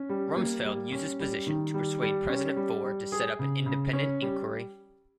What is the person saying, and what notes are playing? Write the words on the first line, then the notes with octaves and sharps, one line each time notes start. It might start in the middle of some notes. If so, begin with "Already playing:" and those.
Rumsfeld used his position to persuade President Ford to set up an independent inquiry.
Already playing: C#4
G3
A#3
G3
C#4
G3
D#3
G3
G3
C#4
G3
G3
G#4
C#3
C#3
C#4
G3